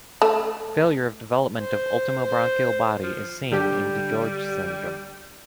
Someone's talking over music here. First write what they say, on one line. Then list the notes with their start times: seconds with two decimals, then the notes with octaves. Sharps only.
Failure of development of ultimobranchial body is seen in DiGeorge syndrome.
0.22 A3
1.59 C5
2.24 C5
3.03 F3
3.52 D3 G3 G4